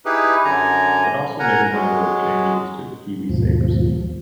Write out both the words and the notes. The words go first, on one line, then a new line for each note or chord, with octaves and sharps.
It also made a number of changes to the KiwiSaver scheme.
D#4 E4 G4 G#4 B4
F#2 D3 G#5 A#5
A#4 F#5 G#5 A#5
F#3 G#3
D#2 G#2 B2 F3